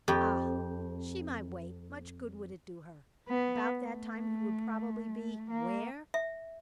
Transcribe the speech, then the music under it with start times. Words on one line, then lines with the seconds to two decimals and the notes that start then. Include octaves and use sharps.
Ah! she might wait--much good would it do her; about that time he would probably be--where?
0.08 F2 G4
3.29 B3
3.81 A3
5.51 A#3
6.14 E5